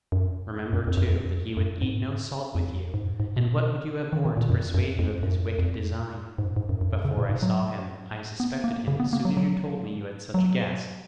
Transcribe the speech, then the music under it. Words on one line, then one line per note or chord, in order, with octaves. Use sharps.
Remember, too, that he would eat no salt with you; and what would you have more to persuade you of his wicked design? Before I saw him, I suspected him as soon as you told me you had such a guest.
F#2
F#2
F2
F#2
F2
F#2
G#2
F2
G#2
F#2
G#2
B2
D#3
D#3
A#2
F#2
F#2
F2
F#2
F2
F2
G#2
F#2
G#2
F#2
F#2
F#2
C#3
A#2
G#2
F#3
B3
A#3
C#3
B3
A#3
F#3
F#3
F#3